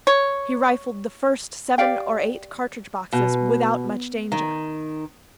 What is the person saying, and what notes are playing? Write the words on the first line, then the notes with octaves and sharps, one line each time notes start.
He rifled the first seven or eight cartridge-boxes without much danger.
C#5
G4 D5 F5 G5
B2
D#3